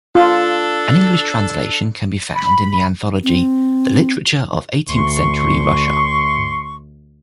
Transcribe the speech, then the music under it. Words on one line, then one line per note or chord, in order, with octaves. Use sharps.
An English translation can be found in the anthology "The Literature of Eighteenth-Century Russia".
D4 F4 A4
B5
C4
D2 C6 C#6